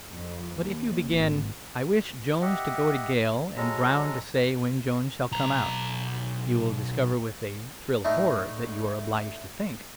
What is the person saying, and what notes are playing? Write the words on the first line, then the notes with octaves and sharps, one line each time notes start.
But if you begin "I wish Jones to go to gaol and Brown to say when Jones shall come out," you will discover, with a thrill of horror, that you are obliged to think.
F2
D#2
G#1
G4 D#5 E5 F#5
F#3 G#3 A4 A#5
B1 A#5
A2 A3 D4 D#4